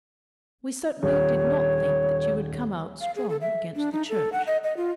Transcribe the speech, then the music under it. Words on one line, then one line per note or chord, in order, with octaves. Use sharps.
We certainly did not think that you would come out strong against the Church.
D#1 C#5
F5
G#4
A4
E5
D4
D#4
A4
F#5
D#5
D#5
F4